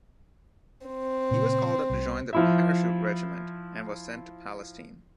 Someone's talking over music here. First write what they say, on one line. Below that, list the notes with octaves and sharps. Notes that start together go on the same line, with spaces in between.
He was called up to join the Parachute Regiment, and was sent to Palestine.
C4
A#2 C#3
C2 C3
F3 E4 E5